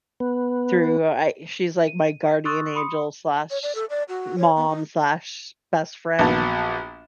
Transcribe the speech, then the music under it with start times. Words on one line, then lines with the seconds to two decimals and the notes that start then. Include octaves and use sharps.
through I she's, like, my guardian angel/mom/best friend
0.20 B3
1.88 D#7
2.45 C6 C#6 D#6 E6 F#6 A6
2.75 B5 C6 D#6 C#7
3.50 C#5
3.63 D5
3.75 A4
3.90 D5
4.09 F#4
4.38 C#5
4.57 B3
4.69 D#4
6.19 A#1 F#3 B3 A5